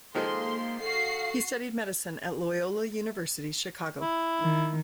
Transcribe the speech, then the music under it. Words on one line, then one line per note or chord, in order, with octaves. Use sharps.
He studied medicine at Loyola University Chicago.
D#3 F3 G#3 A#3 A4 C6
F#4 A4 F5 C7
E4
D#3